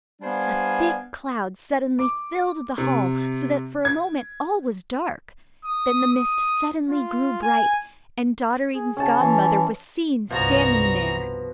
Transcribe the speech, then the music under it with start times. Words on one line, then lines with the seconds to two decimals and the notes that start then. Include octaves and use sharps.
A thick cloud suddenly filled the hall, so that for a moment all was dark. Then the mist suddenly grew bright, and Dotterine's godmother was seen standing there.
0.21 G3 B3 D4 C5 F5 G#5
1.99 D6
2.78 C3
3.85 G#6
5.65 D#6
6.12 D#6
6.89 F4
7.42 G#5
8.75 G#4
8.97 C#3 C#4 A5
9.20 E3
10.31 C2 G2 B2 F3 F#4 A#5